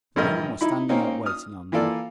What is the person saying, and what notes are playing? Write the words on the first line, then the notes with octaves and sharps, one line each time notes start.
The women were standing up waiting on them.
A#1 G2 A#4 D#5
D#4 E4 B5
A#3 C4 C#4 D#4
D#6 F6
E3 A#3 F4 A4 D5